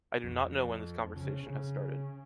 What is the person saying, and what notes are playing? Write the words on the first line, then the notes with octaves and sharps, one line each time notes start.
I do not know when this conversation has started.
F2
C#3
C#3